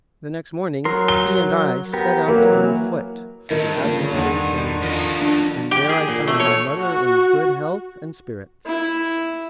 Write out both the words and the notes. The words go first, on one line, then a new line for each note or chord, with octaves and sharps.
The next morning he and I set out on foot for the Admiral Benbow, and there I found my mother in good health and spirits.
F#3 A#4 C6
G7
B3 G4 A#4
E3 F#3 A#3
G2 D#3 D#4 E4 A#4
D3 F3 A#3
E2 D3 D#3 G#4 F#5
F3 D#5
D4
G4
G#4
A#2
A3
C#5
F#4
E4